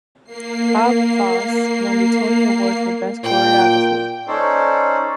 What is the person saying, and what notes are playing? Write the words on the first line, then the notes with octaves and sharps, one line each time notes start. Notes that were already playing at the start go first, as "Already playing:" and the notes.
Bob Fosse won the Tony Award for Best Choreography.
A#3 C7
A#2 G5
C#4 D#4 A4 C5 D5